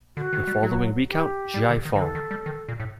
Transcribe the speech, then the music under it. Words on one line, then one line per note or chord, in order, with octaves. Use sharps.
The following recount, Giai Phong!
D3 F#4
D#3
G3
F#3
G4
G3
D3
D#3
D#3
D3 A4
D#3
G3
D#3
A#2
A2